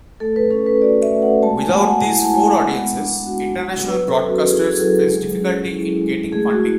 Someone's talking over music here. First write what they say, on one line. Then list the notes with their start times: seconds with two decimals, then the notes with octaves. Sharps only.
Without these four audiences, international broadcasters face difficulty in getting funding.
0.20 A3 A4
0.36 B4
0.51 C#4 A4
0.66 B4
0.82 F#4 D5
1.02 E5
1.12 A3
1.22 F#5
1.43 G#3 A5
1.58 G#5
1.69 F#5
1.73 B3 G#5
1.89 F#5
2.04 E4 G#5
2.20 A5
2.34 G#3 G#5
2.50 F#5
2.65 B3
2.96 D4
3.26 F#4
3.57 B3
3.87 F#3 B4
4.08 A4
4.18 C#4
4.28 F#4
4.48 E4 G#4
4.64 G#4
4.79 F#3 A4
4.95 A4
5.10 G#3 G#4
5.40 C#4
5.71 E4
6.02 G#3
6.32 A3 G#4
6.53 F#4
6.63 E4